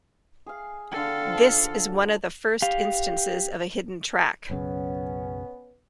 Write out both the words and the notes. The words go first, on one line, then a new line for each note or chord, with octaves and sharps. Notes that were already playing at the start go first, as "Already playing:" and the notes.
This is one of the first instances of a hidden track.
G#4 F5
D3 A4 F5 G5
D3 F3
A5
G4 F5
B1 F#2 C#3 B3 C#4